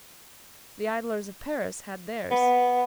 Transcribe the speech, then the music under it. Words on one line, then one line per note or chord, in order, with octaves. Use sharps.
The idlers of Paris had theirs.
B3